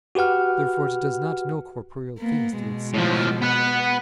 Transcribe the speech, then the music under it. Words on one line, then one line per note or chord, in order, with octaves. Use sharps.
Therefore it does not know corporeal things through itself.
F#4 G4 B4 F#5 F6
A#3 B3
B2 G#3
A2 F3
B3 F#5